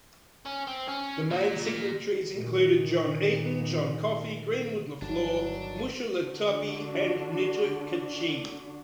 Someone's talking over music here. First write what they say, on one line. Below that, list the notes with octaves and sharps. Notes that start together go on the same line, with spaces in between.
The main signatories included John Eaton, John Coffee, Greenwood Leflore, Musholatubbee, and Nittucachee.
C#4
C4
C#4
A#2
A#2
A#2 D#3
G1 D#3 F#3 D4
D3 D4 F#4